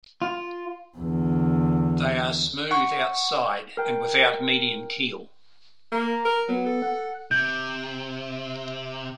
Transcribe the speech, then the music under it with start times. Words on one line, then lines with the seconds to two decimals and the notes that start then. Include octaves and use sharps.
They are smooth outside and without median keel.
0.22 F4
0.98 E2 D3
2.71 F#5 C#6
3.77 A#4 G5
5.92 A#3 A#5
6.25 A#4
6.49 F#3 B3
6.66 A4
6.82 F#5
7.31 C3 G6